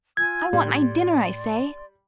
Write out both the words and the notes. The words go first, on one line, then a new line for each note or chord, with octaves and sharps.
"I want my dinner, I say."
F4 G#5 E6 G#6
A2 G3 D5 C6